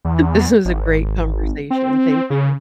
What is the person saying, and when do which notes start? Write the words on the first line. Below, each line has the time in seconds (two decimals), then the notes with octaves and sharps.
this is a great conversation. Thank you.
0.05 E2
0.65 G#1
1.70 C4
2.30 C#3